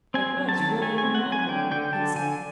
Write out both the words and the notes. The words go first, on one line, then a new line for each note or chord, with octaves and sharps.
"It was really remarkable," he said.
C4 G#5
F#3
A5
D#3
A3 G#5
G#5
C4
F#5
F#3
G#5
D3 G5
D3 G5
D3 A5
D3 G#5